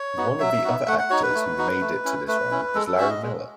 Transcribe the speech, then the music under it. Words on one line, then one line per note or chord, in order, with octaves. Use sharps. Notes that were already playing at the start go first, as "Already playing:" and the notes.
One of the other actors who made it to this round was Larry Miller.
Already playing: C#5
B3 D#4 F#4
F#3 E5
B3 D#4 F#4
A3 F#5
F#5
D#4 F#4 C#5
B4
A3
D#4 F#4
A3
C#4 E4
A3 B4
C#4 E4
G#3 A4
A4
C#4 F#4 E5
D#5
G#3